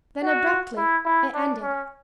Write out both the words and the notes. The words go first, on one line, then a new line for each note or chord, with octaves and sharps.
Then abruptly it ended.
F#4
E4
E4
D4
C#4